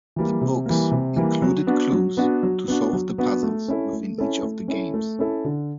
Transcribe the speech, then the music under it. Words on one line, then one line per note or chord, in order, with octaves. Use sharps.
The books included clues to solve the puzzles within each of the games.
E3 G3 A#3
C3
E3 G3 A#3
C3
E3 G3 A#3
F#3
B3 D4 F#4
F#3
B3 D4 F#4
F#3
B3 D4 F#4
F#3
B3 D4 F#4
A3
C#4 E4 A4
A3
C#4 E4 A4
A3
C#4 E4 A4
A3
C#4 E4 A4
D3